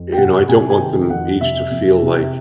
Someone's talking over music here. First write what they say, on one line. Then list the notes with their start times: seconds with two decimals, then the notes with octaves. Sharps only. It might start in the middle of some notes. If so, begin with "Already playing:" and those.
you know, I don't want them each to feel like
Already playing: F2
0.12 G5
0.17 C3 F#5
0.48 C3 G#5
0.70 G#5
0.79 D#3 G5
1.10 F2 F#5
1.41 C3 E5
1.71 F2
2.02 C3